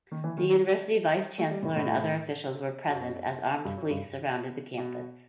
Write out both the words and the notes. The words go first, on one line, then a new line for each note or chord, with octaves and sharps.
The university vice-chancellor and other officials were present as armed police surrounded the campus.
D#3
E3
D#3
F#3
A3
G3
A2
A2
F#2
G2
F#2
G2
B2